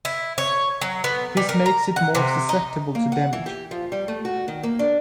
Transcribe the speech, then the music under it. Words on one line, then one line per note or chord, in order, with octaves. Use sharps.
This makes it more susceptible to damage.
E4
C#5
F#3
B3
G3
A#4
A#5
F#5
C3
D#4
A#3
F#5
E3
G4
F3
G3
A3
F#4
D#3
A#3
D4